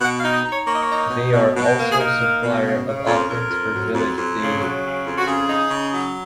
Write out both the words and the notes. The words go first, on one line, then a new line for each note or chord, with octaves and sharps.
They are also supplier of offerings for village deity.
B2 F#5
F5
D#4
D#5
D#4
C#5
A#3 C#5
D#5
C#5
D#4
B2
B2
B2
A#3
G#4
D#4 A#4
A#3
B2
C#3
C#3
F2
F2 A#4
F2
F#3
F2
F2
C#3
F#3
C#3
F2
F#4
C#3 G#4
D#4
C#3
F#3